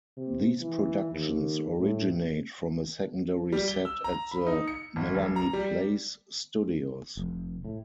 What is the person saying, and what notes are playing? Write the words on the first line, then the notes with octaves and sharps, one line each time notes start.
These productions originate from a secondary set at the Melanie Place studios.
C3
E3
D#2
A2
G3
G7
E6
A#5
B5
D#4
C#7
G#1
F1
A#5
G3
F1
A2